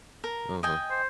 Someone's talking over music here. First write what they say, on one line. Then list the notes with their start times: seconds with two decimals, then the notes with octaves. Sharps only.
Uh huh.
0.24 A#4
0.63 D#5 G5 G#5
0.91 C5